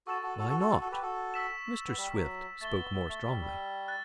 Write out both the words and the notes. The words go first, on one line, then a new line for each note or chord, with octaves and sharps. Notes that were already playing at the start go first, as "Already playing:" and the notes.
"Why not?" Mr. Swift spoke more strongly.
F#4 A4 C#6 E6 A6 E7
F#4 A4
F#4 A4
F#4 A4
F#4 A4
F#4 A4
F#4 A4
G4 B4
F#4 A4
E6 B6 E7
B3
G3
F#3
A3 A6 E7 G7
B3
B3
A3
G3
G3
F#6 A6